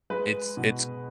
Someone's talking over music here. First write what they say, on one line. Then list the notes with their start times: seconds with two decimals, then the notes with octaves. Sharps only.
It's it's
0.10 G#3 B4
0.57 B2